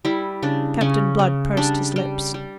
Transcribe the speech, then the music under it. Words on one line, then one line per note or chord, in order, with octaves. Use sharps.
Captain Blood pursed his lips.
G3 E4
C#3 D4
C#3 C#4
C#3
G3 D4
G3
G3